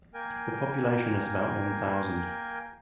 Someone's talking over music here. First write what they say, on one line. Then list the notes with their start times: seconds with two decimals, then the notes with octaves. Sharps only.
The population is about one thousand.
0.14 A#3 A#4 G5 G#5